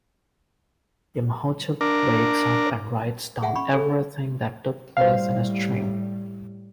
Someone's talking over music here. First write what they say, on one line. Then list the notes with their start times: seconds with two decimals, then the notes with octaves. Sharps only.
Imhotep wakes up and writes down everything that took place in his dream.
1.81 D4 A#4
3.42 G#4 E5 F#5
3.56 C#4 B5 C#6
3.73 G#4 A4
4.97 A2 G3 C5 F5